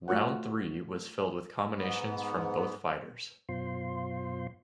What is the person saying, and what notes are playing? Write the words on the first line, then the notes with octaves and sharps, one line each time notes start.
Round three was filled with combinations from both fighters.
A3 F4 F#4 C#5 F#5
G#2 B3
F#2 B2 F4 C5 C6